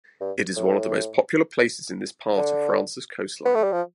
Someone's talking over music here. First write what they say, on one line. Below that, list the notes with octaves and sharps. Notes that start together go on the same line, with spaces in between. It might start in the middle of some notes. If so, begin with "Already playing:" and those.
It is one of the most popular places in this part of France's coastline.
G2
A2
D3
B3
A3
G3
F3